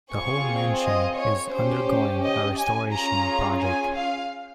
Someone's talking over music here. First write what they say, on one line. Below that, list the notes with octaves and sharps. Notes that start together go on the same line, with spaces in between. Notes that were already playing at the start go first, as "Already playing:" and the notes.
The whole mansion is undergoing a restoration project.
C4 F4 G#4 C#6
D#5
C#5
C#4 G4 C5
D#5
G#5
C#4 F4 G#4 A#5
G#5
F5